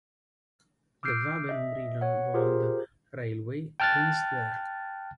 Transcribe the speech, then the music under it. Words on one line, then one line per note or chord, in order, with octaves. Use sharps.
The Wabern–Brilon Wald railway ends there.
D6 E6 F6 G6 C7 D7
D#5 E5
C#5 F#5
F4 G4 G#4 A#4 C5
G5 A5 F6 F#6 A6